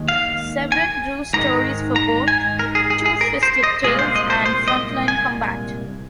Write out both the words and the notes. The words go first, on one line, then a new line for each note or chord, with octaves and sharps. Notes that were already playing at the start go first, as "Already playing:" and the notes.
Severin drew stories for both "Two-Fisted Tales" and "Frontline Combat".
Already playing: D#2 D#3 G#3
F5
G#5
G#2 D#3 G#3 A#5
A#5
G#5
A#4
G#4
G#4
G#4
A#4
C5
D#5
C2 A#2 G#3 F4 G#4
C5
D#5
C5
C5
D#5
G#5